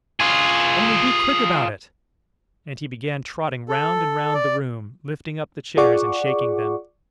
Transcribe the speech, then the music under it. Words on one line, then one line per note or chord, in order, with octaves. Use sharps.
"Only be quick about it!" And he began trotting round and round the room, lifting up the chairs, and shaking them.
F4 G#4
A4
D5
F4 G#4 D5 F#5 C#6 D6